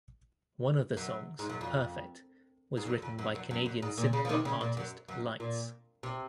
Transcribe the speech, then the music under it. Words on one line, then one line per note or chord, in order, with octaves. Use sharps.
One of the songs, "Perfect," was written by Canadian synth pop artist Lights.
F#2
G#2
F#2
F2
G#2
F#2
F2
F#2
F#2
F#2
F#2
G#2
A#2
C#3
F3
C3 D#3
C#3
A#2
F#2
F#2
A#2
C3